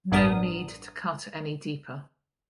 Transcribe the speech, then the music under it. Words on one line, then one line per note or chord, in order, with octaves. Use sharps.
No need to cut any deeper.
A1 G2 B3 D4 A#4 D#6